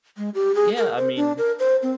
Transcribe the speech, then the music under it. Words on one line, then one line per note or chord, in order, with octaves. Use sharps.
Yeah, I mean,
G#3
G4
G#4
A#4
C5
D4
A#4
C5
C4